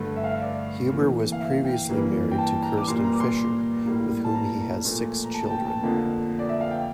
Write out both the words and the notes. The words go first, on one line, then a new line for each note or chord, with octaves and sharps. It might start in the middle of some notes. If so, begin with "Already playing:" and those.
Huber was previously married to Kirsten Fischer, with whom he has six children.
Already playing: G2 D3 A3
E5
F5
E5
D5
C3 E3 A#3
F5
E5
G5
G2 E3 G3 A#3
G5
A5
A#5
D6
A#2 G3 A#3 C6
A#5
D6
C6
A2 G3 A#3
A5
A#5
A#5
A#2 F3 A3
A#5
A5
A5
G5
A5
F2 D3 F3 A#3
D5
E5
F5
G5